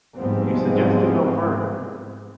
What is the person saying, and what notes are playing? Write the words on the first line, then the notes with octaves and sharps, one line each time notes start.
You suggest to go further.
G#2 F3 G3 G#3 B3 C4